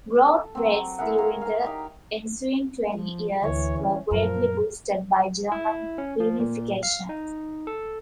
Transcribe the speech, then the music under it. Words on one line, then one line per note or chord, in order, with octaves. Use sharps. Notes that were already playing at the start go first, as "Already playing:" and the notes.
Growth rates during the ensuing twenty years were greatly boosted by German reunification.
A4
F#3 C4
E4 G#4 A#4 F#5
C#5 F5 A#5
F5 A#5
D#4 G4
F3
D2 E3 C#5
C#4
F#2 A#2 F3 A#4
E4
C#4
F3
A#2
F5
D#4
A4